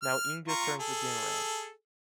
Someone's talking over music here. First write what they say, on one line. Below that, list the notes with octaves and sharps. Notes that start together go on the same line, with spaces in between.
Now Inge turns the game around.
F6
F4 A#5 C#6
G#4 A4